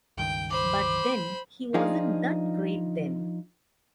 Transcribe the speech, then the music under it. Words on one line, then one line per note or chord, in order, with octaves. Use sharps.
But then, he wasn't that great then.
C#2 G2 D#3 G5
C5 B5 D6
F3 D4 D#4 F4 G#4